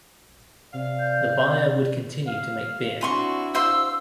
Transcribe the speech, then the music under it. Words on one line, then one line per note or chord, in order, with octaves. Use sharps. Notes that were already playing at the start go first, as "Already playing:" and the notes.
The buyer would continue to make beer.
C3 D5 F5
G6
F5
C4 D4 E4 F#4 G#5 C6 C#6
C5 F5 C6 E6